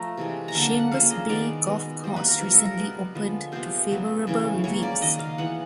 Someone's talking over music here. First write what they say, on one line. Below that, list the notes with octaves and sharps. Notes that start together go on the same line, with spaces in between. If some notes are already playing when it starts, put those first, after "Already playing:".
Chambers Bay golf course recently opened to favorable reviews.
Already playing: F3 A3 A#5
C3 E3 G#3
A#5
D3 F#3 A#3 A5
F#5
C#3 F3 A#3 F5
D#5
D#3 G#3 B3 D5
B2 G#3 B3
B2 G3 A#3 C5
B4
A#4
C3 F3 A#3 A#4
A4
A#4
B2 G3 B3 B4
D3 F3 G#3 B3
C3 F3 G#3 B3 C5
C#3 F#3 B3
C#3 E3 A3
C#3 F#3 A#3 C#5
D5
D#3 F#3 A#3 D#5
F5
E3 G#3 B3 F#5